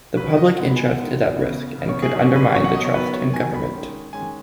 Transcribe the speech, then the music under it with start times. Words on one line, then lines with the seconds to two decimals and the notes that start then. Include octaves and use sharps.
The public interest is at risk and could undermine the trust in government.
0.16 C#3 F#3 C#4 B4
0.37 D#5
0.57 D#3 G#3 B3 F#5
0.67 B5
0.76 G#5
0.86 F#5
0.96 D#3 G#3 B3
1.36 C#3 B3
1.75 C#3 B3
1.89 C#5
2.02 G#4
2.15 B2 F#3 C#4 G#4
2.35 B4
2.54 B2 F#3 C#4 C#5
2.64 F#5
2.74 D#5
2.85 C#5
2.94 D#3 F#3 B3 B4
3.14 C#5
3.34 D#3 F#3 B3 G#5
3.54 B5
3.73 D#3 G#3 C#4
4.13 D#3 G#3 C#4 G#5